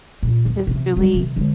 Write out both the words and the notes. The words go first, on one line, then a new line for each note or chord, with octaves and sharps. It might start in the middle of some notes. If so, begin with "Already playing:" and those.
is really
A#2
D#2
C3 E3
G3 A#3
C3 D#3
D3 G#3